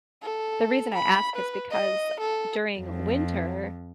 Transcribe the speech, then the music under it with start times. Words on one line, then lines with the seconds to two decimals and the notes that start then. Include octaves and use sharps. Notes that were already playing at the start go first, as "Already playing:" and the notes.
The reason I ask is because during winter,
0.22 A4
0.94 B5
1.36 B4
1.71 D#5
2.21 A4
2.78 F2